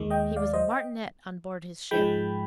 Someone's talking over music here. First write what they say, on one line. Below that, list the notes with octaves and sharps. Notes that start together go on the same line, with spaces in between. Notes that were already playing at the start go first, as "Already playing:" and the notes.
He was a Martinet on board his ship.
Already playing: D#2 D#3 G#3
D#5 G5
D5 F5
C5 D#5
D#5 G5
G#2 F3 G#3 G5 B5